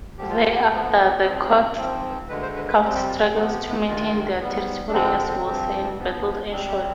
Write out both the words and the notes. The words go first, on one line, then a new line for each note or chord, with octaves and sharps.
Thereafter, the Counts struggled to maintain their territory as wars and battles ensued.
D2 D3 F3 G4
F4
G4
D2 D3 F3 B3
G#2 F3 C4 G#4
G#2 F3 C4
D2 D3 G#3 B4
C5
B4
B4
C3 G3 C4 G4
G4
F4
C4
C3 F3 G#3 B3 D#4
G4
B4
G2 D#3 G#3 F4
G#2 G3 B3
D4
D2 D3 F3 G#3 C4 D#4
D4
C4
G2 F3 C4
G#2 F3 B3
F2 C3 G3 C4 D4
G4